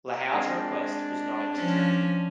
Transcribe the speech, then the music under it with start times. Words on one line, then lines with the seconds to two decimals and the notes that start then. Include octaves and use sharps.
Lahoud's request was not entertained.
0.33 G#3 C4 D4
1.55 F3 C#4